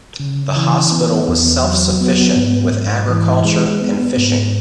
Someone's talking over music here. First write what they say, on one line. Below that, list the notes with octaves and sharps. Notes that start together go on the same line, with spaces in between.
The hospital was self-sufficient with agriculture, and fishing.
C#3
E3
B3
E2
F#3
B3
G#2
G#2
E3
G#3
B3
G#2